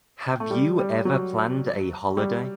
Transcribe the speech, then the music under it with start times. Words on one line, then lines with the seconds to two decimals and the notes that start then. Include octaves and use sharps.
Have you ever planned a holiday?
0.40 A3
0.51 G3
0.79 G3
1.05 F#3
2.17 G3